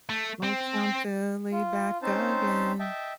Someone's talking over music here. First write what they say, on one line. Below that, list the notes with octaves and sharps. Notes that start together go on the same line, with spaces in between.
Motown Philly back again,
A3
C4
F4
C4 C#4 D#4 C5 A5
D#5 E5 G5 A5